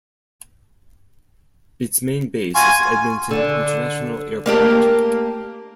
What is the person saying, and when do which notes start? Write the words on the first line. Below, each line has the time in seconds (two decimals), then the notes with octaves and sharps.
Its main base is Edmonton International Airport.
2.55 F4 F#4 G#5
3.31 D3
4.46 A#3 D4 G4